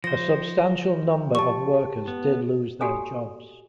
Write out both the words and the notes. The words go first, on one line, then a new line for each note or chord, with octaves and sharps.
A substantial number of workers did lose their jobs.
F3 C5 A#6
G4 A5 C#6
B3
F#4 G4 A4 G#5 D#6